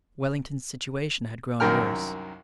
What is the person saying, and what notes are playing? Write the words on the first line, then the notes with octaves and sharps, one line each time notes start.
Wellington's situation had grown worse.
C2 F#2 D#3 A#4 G5 F6